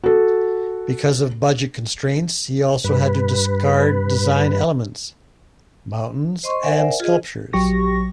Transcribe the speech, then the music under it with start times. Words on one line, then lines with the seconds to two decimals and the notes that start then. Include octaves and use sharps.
Because of budget constraints, he also had to discard design elements: mountains and sculptures.
0.04 F#4 A4
2.84 G2 B4
6.43 C5 D#5 C6 C#6
6.62 A#4 C5 D5 E5 F#5 G#5
7.00 F4 G#4 D#5
7.53 A#1 F#3 G4 C#6 A#6